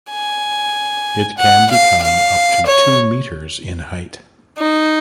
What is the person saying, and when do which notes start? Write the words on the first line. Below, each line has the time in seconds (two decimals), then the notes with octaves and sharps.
It can become up to two metres in height.
0.11 G#5
1.38 F#5
1.70 F5
2.02 F5
2.66 C#5
4.58 D#4